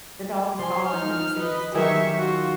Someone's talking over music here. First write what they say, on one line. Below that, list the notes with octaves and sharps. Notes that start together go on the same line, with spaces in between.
the dog is following him to see what he's doing.
F3 G#5 C6
D#4 F6
B4 D#5
D#3 F#3 G4 G#4 E5 C#6
F4 F#4